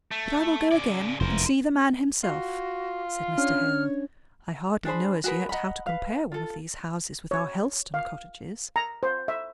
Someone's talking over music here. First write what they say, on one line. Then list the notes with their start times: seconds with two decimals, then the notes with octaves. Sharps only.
'But I will go again, and see the man himself,' said Mr. Hale. 'I hardly know as yet how to compare one of these houses with our Helstone cottages.
0.11 A3
0.72 C#3 D5
1.20 F1 E2 A#4 C5
2.24 F4 F#4
3.38 C#4 D4 C#5 F6
4.85 D4 G#4 C5 B5
5.24 F#4 G#4 A#4 B4
5.49 D#5 F#5 A#5 B5
5.86 B4 F5
6.32 F4 A4
7.31 C#5
7.94 F5
8.76 A#5
9.03 C5
9.28 E5